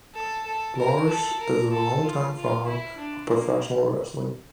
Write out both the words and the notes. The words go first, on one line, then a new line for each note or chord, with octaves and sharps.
Lars is a longtime fan of professional wrestling.
A4
A4
A#4
A4
A#4
A4
F4
F4
E4
D4
A#3